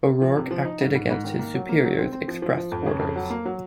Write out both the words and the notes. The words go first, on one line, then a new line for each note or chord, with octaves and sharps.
O'Rourke acted against his superiors' express orders.
F3
C3
F3
D#4
G#2
G#2
G#2
D#3
A#3
F#3
A#3
F#3
C4
C4
F3
F3
F3
F2
C#3
F2
F#3
A#3
F#3